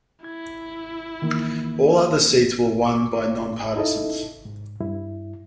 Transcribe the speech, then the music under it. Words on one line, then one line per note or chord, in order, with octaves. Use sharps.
All other seats were won by non-partisans.
E4 G#6
D#3 E3 A#3
C#6 D6
D#4 E4 A4 D#5
G#2
G2 E4